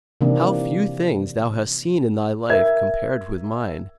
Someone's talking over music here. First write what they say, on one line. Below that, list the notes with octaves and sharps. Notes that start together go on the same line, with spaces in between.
How few things thou hast seen in thy life compared with mine.
C3 D#3 E3 A#3 C4 D4
A#4 E5 G#6